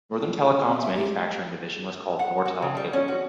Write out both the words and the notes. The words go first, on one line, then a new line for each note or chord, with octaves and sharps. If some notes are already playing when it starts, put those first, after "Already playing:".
Northern Telecom's manufacturing division was called Nortel Cable Group.
F4
C#4
C4
E5
G4
F#5
F#4
C#3
G3
C#4
F#4